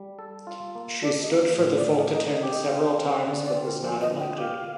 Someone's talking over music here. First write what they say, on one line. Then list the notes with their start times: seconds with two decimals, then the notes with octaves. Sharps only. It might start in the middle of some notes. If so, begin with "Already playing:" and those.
She stood for the Folketing several times but was not elected.
Already playing: G3
0.19 A4
0.47 F4
0.75 A#3
1.02 A4 D5
1.21 D#5
1.30 A#3
1.40 C5
1.58 A2
1.77 D5
1.86 A2
1.96 D#5
2.14 D#4 D#5
2.33 D#5
2.43 G4
2.52 D#5
2.70 C4 F5
2.98 C4
3.26 D3 D5
3.45 D5
3.55 C4
3.64 A#4
3.83 F3 C5
4.01 D#5
4.10 D3
4.20 G5
4.38 G4 F5